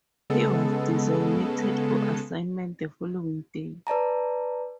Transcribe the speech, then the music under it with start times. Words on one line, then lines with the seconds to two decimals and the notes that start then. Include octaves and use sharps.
He was designated for assignment the following day.
0.30 C#3 G#3 B3 A4
3.87 B4 D5 A5 A#5